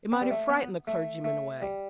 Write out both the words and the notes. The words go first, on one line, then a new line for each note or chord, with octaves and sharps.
It might have frightened the clergymen away.
C4
G3
A3
B3
A3
A3
G3